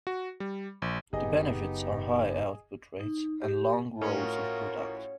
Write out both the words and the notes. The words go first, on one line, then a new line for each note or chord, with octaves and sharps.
The benefits are high output rates and long rolls of product.
F#4
G3
A#1
F#1 B3 D#4 G4 G#4 D#5
D#4
G4
A2 C#4 F4 F#4 A#4